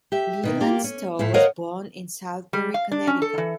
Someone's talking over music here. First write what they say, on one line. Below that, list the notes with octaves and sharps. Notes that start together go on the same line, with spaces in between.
Leland Stowe was born in Southbury, Connecticut.
G4 E5
B2 D#3 E4
A#3 F4 G4
C#4
A2 F3 E4
A#4 C5 C#5 D#5 F5 F#5
G3
F5
D4
C#4
A4
E3